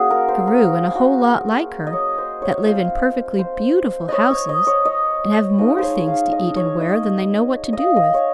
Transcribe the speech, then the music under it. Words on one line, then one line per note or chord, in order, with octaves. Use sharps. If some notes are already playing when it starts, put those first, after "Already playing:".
Carew, and a whole lot like her--that live in perfectly beautiful houses, and have more things to eat and wear than they know what to do with.
Already playing: A#3 C#4 F4 F#4 G#4
A#4
C5
A#4
F#4
D#5
C#5
C5
C#5
F3 C4 F4 C5
C5
C#5 D#5
C#5
D#5
C#5
D#5
F3 G#3 D#4 D#5
C5 C#5
F5
D#5
C#5
D#5
D#5 F5
D#5
C#5